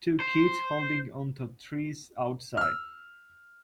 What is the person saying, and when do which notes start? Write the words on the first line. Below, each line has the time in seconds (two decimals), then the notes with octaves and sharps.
Two kids holding onto trees outside.
0.20 C5
2.57 E6 F6